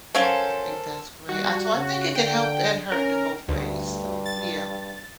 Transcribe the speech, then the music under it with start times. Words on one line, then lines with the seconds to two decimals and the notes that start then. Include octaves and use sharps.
I think that's great. I So I think it can help and hurt in both ways. So, yeah.
0.15 F#3 C#4 A4 A#4 C5 F5
1.29 G3 F#4
1.74 C#3
2.16 D3 G5
2.92 C#4 A#4
3.48 D2 G2
4.26 A6